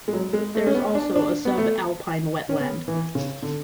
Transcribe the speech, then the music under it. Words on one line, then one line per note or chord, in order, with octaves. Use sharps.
There is also a sub-alpine wetland.
G#3
F#3
G#3
A3
C#4
B3
D4
D4
B3
A3
C#4
B3
E3
C#3
D3